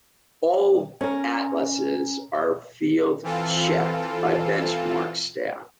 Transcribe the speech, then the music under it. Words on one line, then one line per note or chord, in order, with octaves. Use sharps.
All atlases are field-checked by Benchmark staff.
C#4 A#4
E3 C4 F4 A4